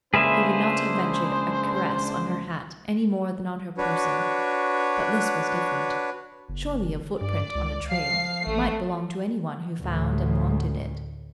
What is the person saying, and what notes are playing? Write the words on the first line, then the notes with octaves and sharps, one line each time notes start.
He would not have ventured a caress on her hat any more than on her person, but this was different. Surely a footprint on a trail might belong to anyone who found and wanted it.
C#2 A#3 D4 G#4 B4 C5 E5
D4 F#4 B4 C#5
F#1
G2 D5
C#2
F3 F5 C7
A1 A3
D2 A2